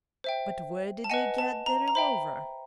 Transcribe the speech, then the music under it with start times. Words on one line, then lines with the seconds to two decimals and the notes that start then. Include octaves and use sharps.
But where did you get the revolver?
0.24 C5 E5 G5
1.04 A5
1.10 B4 D#5 F#5 G#5
1.38 A5
1.66 A#5
1.88 A#5
1.95 C5 E5 G5 B5